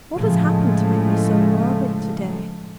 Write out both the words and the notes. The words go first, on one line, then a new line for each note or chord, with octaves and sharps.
What has happened to make me so morbid to-day?
A2 C#3 F3 G#3 A3